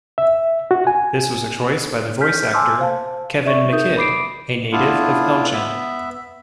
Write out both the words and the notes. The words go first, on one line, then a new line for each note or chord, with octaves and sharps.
This was a choice by the voice actor, Kevin McKidd, a native of Elgin.
E5
F#4
G#5
F6 G6 B6
G#5 A5 C6 D6 E6 F6
C5 F5 A5
D5 E5 C#6
D#4 G#4 A#4 E5 D#6 G6
B5 D6 C7 D7
B3 D4 E4 F4
B3 E5